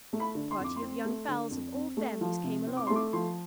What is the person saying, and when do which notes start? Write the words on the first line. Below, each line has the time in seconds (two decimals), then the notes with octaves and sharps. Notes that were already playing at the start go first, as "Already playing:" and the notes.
A party of young fowls of all families came along.
0.13 A3
0.20 B5
0.35 D3
0.51 C6
0.59 F2 D6
0.76 C6
0.82 C4
1.05 A3
1.28 D3
1.51 F2
1.74 C4
1.97 A3
2.21 F3
2.44 C3
2.67 C4
2.77 D6
2.87 A3 C6
2.96 D6
3.13 F3 C6